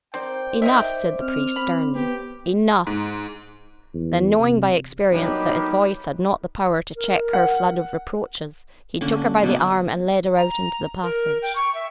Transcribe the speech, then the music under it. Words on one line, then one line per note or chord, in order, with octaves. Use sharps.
"Enough," said the priest, sternly, "enough." Then, knowing by experience that his voice had not the power to check her flood of reproaches, he took her by the arm and led her out into the passage.
C4 A#4 C5 D5 G5
D#4 A#4 C5 D5 E5 G5
C4 F6
C4 B5
B3 G4
G#2
E2
C3
F#3 G3 A#3 B3 D4 D#4 G4 B5
A#4
F#5
D3 A#3 C#4
B2 A#3
A#5
A#4
G5
C#6
E5